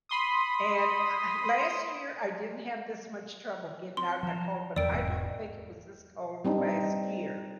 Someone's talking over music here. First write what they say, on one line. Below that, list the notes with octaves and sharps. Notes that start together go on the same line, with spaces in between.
And eh last year, I didn't have this much trouble getting out in the cold, but I don't think it was this cold last year.
B5 C6 D#6
C4 C6
F3 A5 A#5
E2 E3 A#4 D5 G5 E6 D7
E1 G#2 C4 D#5
G3 C4 D4 D#4